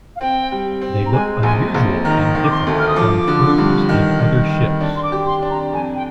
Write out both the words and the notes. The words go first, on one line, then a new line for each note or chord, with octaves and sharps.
They look unusual and different from cruise and other ships.
F5
C4 G5
G3
C4
A#5
G#3 G#5
A#1 G#5
A#1
D#3 A#5
D#3
D6
C6
D2
F6
D#6
F3 D6
D3
G2
D#3
D#3
D#3
D4
C6
D6
G4
C6
D4
A#5
F2 G#5
G5